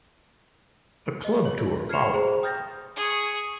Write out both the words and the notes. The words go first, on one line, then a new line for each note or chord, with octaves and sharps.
A club tour followed.
D#5
C#5
F6 G#6 C7 C#7 E7 F7
G#4 C5 A#5
G5 D#6 F6 G6 A6 A#6
G#4 C#6